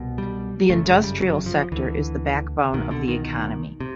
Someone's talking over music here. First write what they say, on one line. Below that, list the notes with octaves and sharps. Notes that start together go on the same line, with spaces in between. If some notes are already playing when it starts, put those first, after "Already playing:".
The industrial sector is the backbone of the economy.
Already playing: C2 B2
G3
G1 F#2 C#3 A3
G#3
G3
F#3
F3
D2 D3 E3
C2 B2 D#3
D3
D#3
D#3
C3